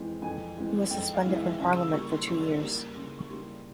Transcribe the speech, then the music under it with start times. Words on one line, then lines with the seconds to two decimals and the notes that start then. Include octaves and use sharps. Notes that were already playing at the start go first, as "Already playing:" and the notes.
He was suspended from Parliament for two years.
Already playing: F2 E3 G#3 C4
0.22 F2 G#5
0.56 E3 G#3 C4
0.91 F2 G5
1.14 F5
1.25 E3 G#3 C4
1.36 E5
1.59 C#3 F5
1.76 E6
1.93 G3 A#3 C#6
2.11 C6
2.21 C6
2.27 C#3 C#6
2.62 G3 A#3
2.95 C#3 C6
3.18 C#6
3.30 G3 A#3 C6